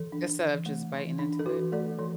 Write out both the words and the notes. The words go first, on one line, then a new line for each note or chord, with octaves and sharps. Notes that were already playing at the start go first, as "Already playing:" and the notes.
Instead of just biting into it.
Already playing: E3 A4
D4
E3
A3
E3
D4
A4
E3 F#4 B4
A3 A4 D5
E3 A4